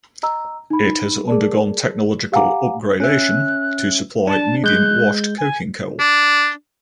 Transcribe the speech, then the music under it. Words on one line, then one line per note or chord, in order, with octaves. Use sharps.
It has undergone technological upgradation to supply medium washed coking coal.
D#5 A#5 E6
D#4 B5
G#4 A#4 D5 A5
G4 F5 F#5 G#5 A#5 D6
C#4 E5 F#6
D4 A5
G#3 F#6 G6
G#5
D4